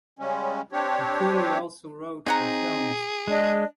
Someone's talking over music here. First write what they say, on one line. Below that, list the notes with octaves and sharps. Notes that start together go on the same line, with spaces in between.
McCulley also wrote for films.
C#3 G3 G#3 C#4
C4 D4 G4 C#5
C4 D#4 G#4 C#5 F#5 A#5
G#3 D4 D#5